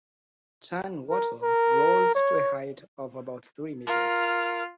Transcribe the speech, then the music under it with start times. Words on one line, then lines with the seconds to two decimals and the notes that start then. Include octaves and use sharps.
Tan wattle grows to a height of about three metres.
1.10 A#4
1.42 A#4
2.15 C#5
3.87 F4 A#4